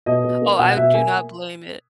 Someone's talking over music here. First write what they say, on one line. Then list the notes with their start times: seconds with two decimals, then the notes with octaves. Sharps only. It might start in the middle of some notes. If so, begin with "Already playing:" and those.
Oh, I do not blame it.
0.06 B2 D#5
0.24 B2
0.42 A#3
0.59 B2 F#5
0.77 B2 E5
0.94 A#3 G#5